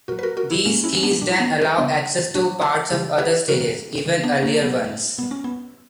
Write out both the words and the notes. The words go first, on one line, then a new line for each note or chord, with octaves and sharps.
These keys then allow access to parts of other stages, even earlier ones.
A#2 F#3 F#4 A#4
B4
F#4 A#4
F#4 A#4
E4 G4
A#2 G3 A#3 C#4
C#4 E4
C#4
B3 D4
A#2 G3 D4
E4
B3 D4
C#3 G3 B3 D4
A#2 F#3 D4 F#4
C#3 E3 G3 E4 G4
G4 B4
C#3 E3 G3 F#4 A#4
C#3 E3 G3
B3 D4
A#3 C#4
A#2 F#3 B3
A#2 G3 B3
C#4
B3